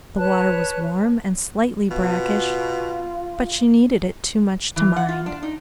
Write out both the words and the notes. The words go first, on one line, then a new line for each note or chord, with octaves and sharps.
The water was warm and slightly brackish, but she needed it too much to mind.
B4 C#5 A5 F#6
B2 F4
E3
F#5
F4
D4
D#4